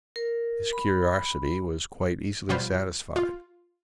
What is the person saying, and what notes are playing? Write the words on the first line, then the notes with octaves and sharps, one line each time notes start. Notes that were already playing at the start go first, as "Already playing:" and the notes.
His curiosity was quite easily satisfied.
A#4
B5
B2 F3 G3 F4 B4 C5
F4